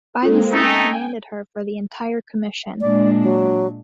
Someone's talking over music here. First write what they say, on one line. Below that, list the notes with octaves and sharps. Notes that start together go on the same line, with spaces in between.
Bythesea commanded her for the entire commission.
G#3 A#3 C4 F4 A4
A3 C#4 D#4 G5 G#5
A#2 G#3 D4 D5
F#3